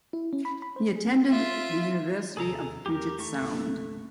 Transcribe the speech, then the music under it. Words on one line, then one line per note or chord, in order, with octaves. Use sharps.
He attended University of Puget Sound.
E4
C#4
B5
B5
C5
G#4
F4 E5
E1 D#2 C3 G#4 A4 A#5
E2 G4 A#4
A3 C#6
G1 C2